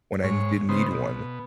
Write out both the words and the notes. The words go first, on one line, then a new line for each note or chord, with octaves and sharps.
when I n did need one.
G#2 C#5
C#3 B3 D#4 C5
B2